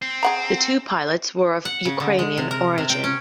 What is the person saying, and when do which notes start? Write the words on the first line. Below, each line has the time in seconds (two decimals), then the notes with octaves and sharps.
The two pilots were of Ukrainian origin.
0.02 C4
0.23 G#4 F#5 A#5
1.65 F#5
1.85 C#3
2.00 D3
2.19 G#3
2.38 C3
2.51 A#4
2.78 C3
2.90 G5
3.04 C#4